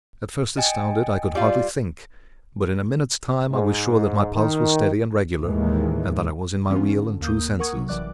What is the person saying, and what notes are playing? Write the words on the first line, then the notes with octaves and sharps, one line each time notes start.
At first astounded, I could hardly think, but in a minute's time I was sure that my pulse was steady and regular, and that I was in my real and true senses.
D#5 G5 G#5
G3 F4
G#2
D#3
D#2 A2 D#3 E3 G#3
E3 B3 C#4 D4 F4
D3
D#2 A#3 D#6 G6
A#4 F#5 C#6 D#6 G#6
C3 F#3
A1 E3 G3 D5 D6 F#6